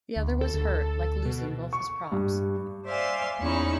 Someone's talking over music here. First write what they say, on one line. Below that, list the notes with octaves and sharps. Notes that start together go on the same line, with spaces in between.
The other was hurt, like losing both his props.
D2
A4
D2
B2
C#6
G2
C5 D5 E5 F5 G#5 C6
E2 C#4 D#4 E4 C#6